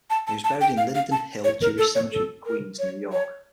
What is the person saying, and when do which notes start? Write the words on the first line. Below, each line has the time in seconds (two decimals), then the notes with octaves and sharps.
He is buried in Linden Hill Jewish Cemetery in Queens, New York.
0.10 A5
0.27 A5
0.44 A5
0.61 G5
0.77 F5
0.95 F5
1.12 A5
1.44 C#5
1.62 A#4
1.78 A4
1.95 C#5
2.12 A4
2.46 A#4
2.79 C#5
3.12 C#5